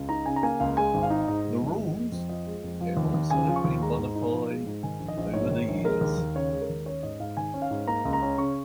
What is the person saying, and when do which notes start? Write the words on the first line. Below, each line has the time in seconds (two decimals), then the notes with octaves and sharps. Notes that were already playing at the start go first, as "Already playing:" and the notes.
The rules has also been modified over the years.
Already playing: C#2
0.09 D#4 A#5
0.26 C#3 G#5
0.36 A#5
0.43 A#3 G#5
0.60 C#2 F5
0.77 G#3 G#5
0.94 G#1
1.03 F5
1.10 D#4
1.28 G#2 D#5
1.45 G#3
1.62 G#1
1.78 G#3
1.95 F2
2.12 F2
2.29 F3 D#5
2.46 G#3
2.64 F2
2.81 F3
2.97 D#2
3.14 D#2
3.30 C#3 G#5
3.48 F3
3.56 C#6
3.64 D#2
3.81 G#3 A#5
3.98 G#2
4.16 D#4
4.32 F3
4.49 G#3
4.66 G#2
4.83 D#3 G#5
5.00 A#1
5.08 D#5
5.17 A#1
5.33 G#2 C#5
5.51 D#3
5.68 A#1
5.84 G#3 A#4
6.01 D#2
6.18 D#2
6.35 C#3 C#5
6.53 G#3
6.62 A#4
6.69 D#2
6.86 C#4 C#5
7.03 G#2 D#5
7.20 G#2 F5
7.37 D#3 G#5
7.54 C#4
7.62 F5
7.71 G#2
7.87 A#3 A#5
8.05 C#2
8.13 A#5
8.22 C#4
8.38 C#3 C#6